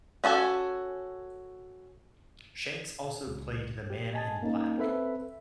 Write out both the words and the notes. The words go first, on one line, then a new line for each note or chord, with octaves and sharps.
Shanks also played the Man in Black.
C#4 F#4 A4 G#5
C#2
G4
D#5 G#5 A5 A6
A#3 C#4 D#4
C4 A4 B4 E5 B5